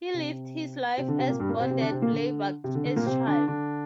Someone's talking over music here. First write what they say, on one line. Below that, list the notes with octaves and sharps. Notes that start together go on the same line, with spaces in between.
He lived his life as bonded labour as child.
C3 C4
C3 C4
D3 D4
C3 C4
A#2 A#3
G2 G3
A#2 A#3
C3 C4
C3 C4
D3 D4
C3 C4
A#2 A#3
D3
C3
D3
D3
A#2 A#3
C3 C4
D3 D4
D3 D4